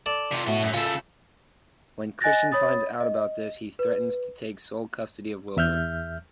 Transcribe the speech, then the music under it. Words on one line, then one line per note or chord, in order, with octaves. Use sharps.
When Christian finds out about this, he threatens to take sole custody of Wilber.
A4 D5
C3 F4
A2 B3 F#4
F#2
C#3 A3 F4 A4
D#5 G#5 F#6 A6 A#6
C#5 B5 D#6 A6
D#5
B4
E2 E5 F6 G6